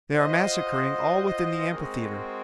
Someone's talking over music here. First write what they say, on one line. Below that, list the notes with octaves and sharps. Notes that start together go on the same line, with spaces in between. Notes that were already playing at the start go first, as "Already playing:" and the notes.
They are massacring all within the amphitheatre.
F4 C5 D#5 F#5
G#3 C4 F#4 A#4